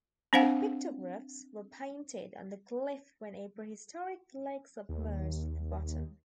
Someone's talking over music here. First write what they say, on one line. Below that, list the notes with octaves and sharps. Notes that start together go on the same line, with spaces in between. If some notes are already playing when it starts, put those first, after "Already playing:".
The pictographs were painted on the cliff when a prehistoric lake submerged the bottom.
C4 D4 C5 F5 F#5 G#5
D#2